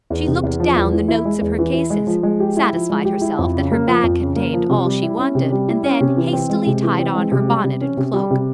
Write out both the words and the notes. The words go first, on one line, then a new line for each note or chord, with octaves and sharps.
She looked down the notes of her cases, satisfied herself that her bag contained all she wanted, and then hastily tied on her bonnet and cloak.
E2
C3
E2
F3
E2
E3
E4
G#3
E2
E3
E4
G#3
F3
G#3
G4
E4
F3
G#3
G4
E4
F2
C#3
A#3
F3
F2
C#3
A#3
F3
C3
G3
E4
C#4
C3
G3
E4
C#4
C3
E3
C4
G#3
C3
E3
C4
G#3
C3
G3
C3
C#4
C3
G3
C3